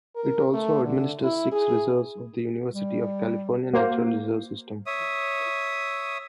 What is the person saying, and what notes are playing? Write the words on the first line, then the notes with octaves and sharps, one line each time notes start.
It also administers six reserves of the University of California Natural Reserve System.
A#4
A3
D3
E4
G#4
G3
A#3 F#4 C5 F5
C#5 E5 D#6